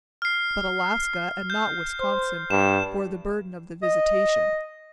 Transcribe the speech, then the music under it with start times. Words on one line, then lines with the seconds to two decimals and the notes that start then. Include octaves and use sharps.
But Alaska and not Wisconsin bore the burden of the visitation.
0.22 F6 C7
1.50 G6
2.00 C5
2.51 G2 E7
3.83 D#5